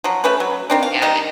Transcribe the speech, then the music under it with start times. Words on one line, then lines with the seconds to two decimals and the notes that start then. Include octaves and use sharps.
Yea, they
0.04 F3 F#3
0.24 A3 C#4 B4
0.40 F#3
0.70 D#3 C4 D4
0.83 F5
1.02 D#3 G3 D#4